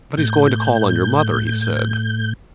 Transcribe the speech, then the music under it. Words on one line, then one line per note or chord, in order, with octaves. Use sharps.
"But he's going to call on your mother," he said.
A2 G6